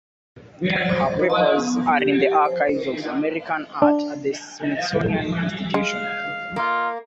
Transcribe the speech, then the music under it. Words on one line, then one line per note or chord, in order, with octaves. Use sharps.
Her papers are in the Archives of American Art at the Smithsonian Institution.
C5
D#5
B3
G4
C5
D4
G#3 F5
A#3 D#4 F4